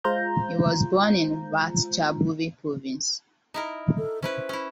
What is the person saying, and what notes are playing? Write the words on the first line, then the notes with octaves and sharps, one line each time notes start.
He was born in Ratchaburi Province.
G#3 F4 C5 A#5 G6
D#4 E4 A#4
A4
C#4 E4 B4 C5
C#4 E4